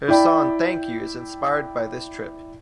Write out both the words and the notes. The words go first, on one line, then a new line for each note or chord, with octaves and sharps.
Her song "Thank You" is inspired by this trip.
E4 D5 G5 B5